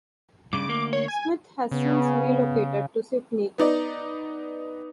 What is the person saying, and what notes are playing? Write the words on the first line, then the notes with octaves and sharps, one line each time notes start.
Smith has since relocated to Sydney.
G2 C#3 D6
D2 A#3
C#5
G#5
C#3 B3
B3 D#4 D5